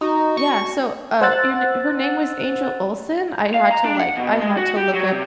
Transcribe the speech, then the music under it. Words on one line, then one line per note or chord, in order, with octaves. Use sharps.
Yeah, so, uh, your n her name was Angel Olsen, I had to, like I had to look up
D#4 F#4
C#6
C5 F#5 E6 F#6 A6
F5
A#5
D4
F#5
B2
G#3
F#4
G4
F#3
C3